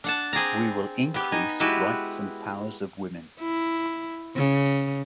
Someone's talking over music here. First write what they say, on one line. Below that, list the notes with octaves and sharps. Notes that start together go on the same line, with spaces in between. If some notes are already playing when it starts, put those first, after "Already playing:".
We will increase rights and powers of women.
D4 F#5 A5
C4 G#4 D5 A#5
B3 G4
D#4 G#5
G#3 E4 F#4 G4 B4
E4
C#3